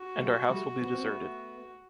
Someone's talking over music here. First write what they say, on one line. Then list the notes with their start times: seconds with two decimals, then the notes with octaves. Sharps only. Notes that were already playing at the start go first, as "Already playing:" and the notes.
And our house will be deserted.
Already playing: F#4
0.19 G3 A3
0.50 G3 A3
0.82 B3
0.95 C4
1.06 A3 B3